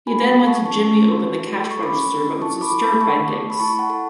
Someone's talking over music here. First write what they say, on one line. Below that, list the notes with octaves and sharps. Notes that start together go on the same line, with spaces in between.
He then went to jimmy open the cash register but was disturbed by Dicks.
F#4 G#5 B5
A4
A5 C#6
C#4 A5 C#6
C#4
F#4
A4
C#6
C#4 B5 D6
C#4
E4 A5 C#6
B5 D6
A4
B5 D6
A3 A5 C#6
A3
B5
E4 A5 C#6
F#5 A5
A4 A5